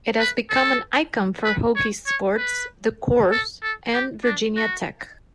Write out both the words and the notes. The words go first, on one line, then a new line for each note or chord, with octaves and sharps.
It has become an icon for Hokies sports, the Corps, and Virginia Tech.
B4
A4
B4
C#5
C#5
B4
A4
A4
G4
D4
F#4